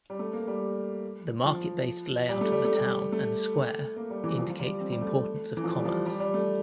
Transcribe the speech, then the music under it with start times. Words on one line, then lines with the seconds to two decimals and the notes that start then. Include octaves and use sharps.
The market based layout of the town and square indicates the importance of commerce.
0.10 G3
0.19 A3
0.33 A#3
0.47 G3
1.45 F3
2.29 G3
2.41 A3
2.52 G3
2.65 A3
2.76 G3
3.12 A3
3.96 A#3
4.10 G3
4.24 E3
4.38 F3
4.50 F3
4.59 G3
4.80 C4
4.92 G3
5.01 A3
5.57 E3
5.64 F3
5.79 G3
5.85 F3
6.06 G3
6.20 G3
6.34 A3